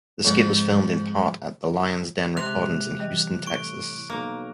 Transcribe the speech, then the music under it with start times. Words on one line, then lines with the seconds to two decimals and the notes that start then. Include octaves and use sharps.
The skit was filmed in part at The Lion's Den Recordings in Houston, Texas.
0.25 F2 G#2
2.37 C3 G#3 C6 D6 F#6 F7
2.99 E3 G3 D#5
3.47 A2 C#6 D7
4.10 B1 A#3